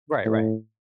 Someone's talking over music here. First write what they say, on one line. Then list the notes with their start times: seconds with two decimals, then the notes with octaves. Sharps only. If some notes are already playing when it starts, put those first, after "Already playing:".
Right, right.
0.25 A2